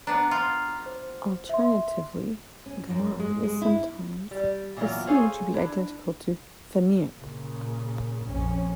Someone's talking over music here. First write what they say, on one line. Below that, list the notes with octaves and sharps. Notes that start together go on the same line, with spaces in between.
Alternatively, Garmr is sometimes assumed to be identical to Fenrir.
B3 D4 A#5
F4
C5
E5 C6
C#4
F#2
G#3
G#3
E4
G3
A#2 E3 F#3 B3 F4
G#4 A4 C5 C#5 F5 G#5
D4 E4
A#2 C#3
A#1 F2 C#4